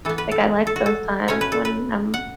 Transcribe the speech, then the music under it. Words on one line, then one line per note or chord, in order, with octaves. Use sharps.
Like, I like those times when I'm
E3 B3 A4
B4
A4
A4
F#4
A4
B2 A3 C#4 C#5
B4
A4
B4
F#5